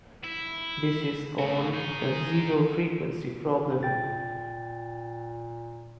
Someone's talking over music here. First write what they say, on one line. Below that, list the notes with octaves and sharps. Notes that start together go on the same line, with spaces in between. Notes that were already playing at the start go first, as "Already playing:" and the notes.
This is called the zero-frequency problem.
E4
A2 F#4
D#4 G#4
A#2 G5 A6